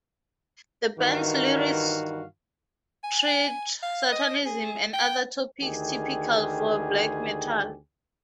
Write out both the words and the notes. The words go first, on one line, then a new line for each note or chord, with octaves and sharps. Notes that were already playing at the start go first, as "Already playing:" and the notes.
The band's lyrics treat Satanism and other topics typical for black metal.
G2 D#3 E3 F#4 F5
G#5
G#5
F5
D#5
G#4
G5
D2 D#3 G4 G#4